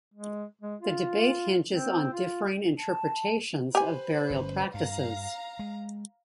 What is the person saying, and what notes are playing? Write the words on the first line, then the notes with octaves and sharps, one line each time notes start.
The debate hinges on differing interpretations of burial practices.
G#3
G#3
F4
C4
F4
A5
G4 B4 C5 G#5
G1 D3 C#4
G2 F5 A#5
G#3